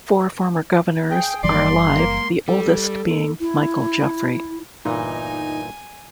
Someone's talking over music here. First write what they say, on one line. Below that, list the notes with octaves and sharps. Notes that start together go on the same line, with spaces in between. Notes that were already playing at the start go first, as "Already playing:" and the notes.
Four former governors are alive, the oldest being Michael Jeffery.
G#4 G5
F#1 E3 G3 D5 C6
A#3
G3 A4
E4
G1 A#2 E3 D#4 G#5